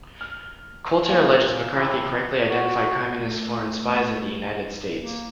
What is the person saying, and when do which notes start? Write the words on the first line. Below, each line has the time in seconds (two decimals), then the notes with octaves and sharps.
Coulter alleges McCarthy correctly identified communist foreign spies in the United States.
0.21 F6
1.10 A#3 F4 G#5
1.76 C3 E3
2.48 F#4
3.13 A3
5.00 A#3